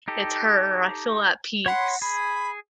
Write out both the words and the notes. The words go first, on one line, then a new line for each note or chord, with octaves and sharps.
it's her. I feel at peace."
D#4 G4 A4
C#5 F#5 B5 C6
G#4 B5